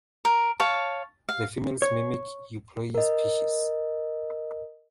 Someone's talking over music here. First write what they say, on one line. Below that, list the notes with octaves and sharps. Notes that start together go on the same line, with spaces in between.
The females mimic "Euploea" species.
A#4
C#5 F5 A5
F5
C#5
A#4 D#5